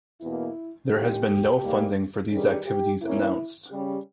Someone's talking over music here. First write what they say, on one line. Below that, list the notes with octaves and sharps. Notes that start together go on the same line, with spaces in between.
There has been no funding for these activities announced.
E2 B2 A#3 E4
D#2 C#3 G#3 G4
G#2 G3 A#3
G2 D#3 G3 C#4 G#4
G4
E2 B2 A#3 C#4 E4
C#3 G3 C#4 G4